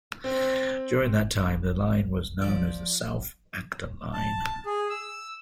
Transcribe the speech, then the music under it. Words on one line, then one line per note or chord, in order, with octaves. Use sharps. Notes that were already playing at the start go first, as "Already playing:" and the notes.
During that time, the line was known as the South Acton Line.
C4
F3 D5
A5
G#4
E6